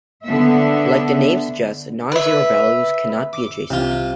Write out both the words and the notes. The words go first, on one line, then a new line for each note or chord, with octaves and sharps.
Like the name suggests, non-zero values cannot be adjacent.
D3 B3 E5
B4 E5
D6
C2 C3 F4